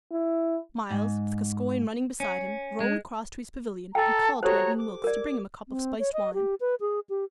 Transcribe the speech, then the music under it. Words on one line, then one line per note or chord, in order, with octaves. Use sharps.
Myles, with Gascoyne running beside him, rode across to his pavilion, and called to Edmund Wilkes to bring him a cup of spiced wine.
E4
G#2
C#4
G#3
A4 G5 A5 A#5
F#4 G4 A4 C5 C#5 A#5
D6
A#4 D5
C4
C#5
D#5
G4
B4
G#4
G4